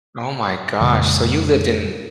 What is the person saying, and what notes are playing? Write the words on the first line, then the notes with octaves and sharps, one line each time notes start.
Oh my gosh. So you lived in m
F2 A#2 C#3 G#3